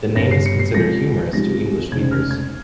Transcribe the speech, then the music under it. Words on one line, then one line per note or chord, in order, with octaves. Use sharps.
The name is considered humorous to English speakers.
G1 G2 G3 A#6
C7
C#7
C7
C#2 C3 F3 A#6
C#2 C3 F3 A#6
F1 F2 C#3 G#3 C4 G#6
F6
G#6